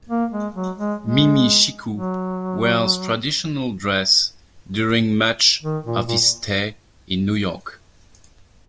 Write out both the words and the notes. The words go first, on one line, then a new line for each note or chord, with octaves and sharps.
Mimi-Siku wears traditional dress during much of his stay in New York.
A#3
G#3
F#3
G#3
G#3
F#3
D#3
A#2
A#2